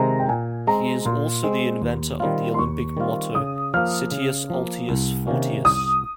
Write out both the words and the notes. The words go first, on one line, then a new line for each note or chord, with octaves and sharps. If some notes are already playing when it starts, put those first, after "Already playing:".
He is also the inventor of the Olympic motto "Citius altius fortius".
Already playing: C3 D#3 G#3 C4 A#5
G5
A#2 G#5
G#3 C4 A#5
A#2 C6
G#3 C4
D#2
D#3 G3 C4 F4
C6
D#2 C#6
D#3 G3 C4 F4
C#3 D#6
F3 A#3 F6
C#3
F3 A#3
C2
C3 D#3 A#3 C#4
C2 D#6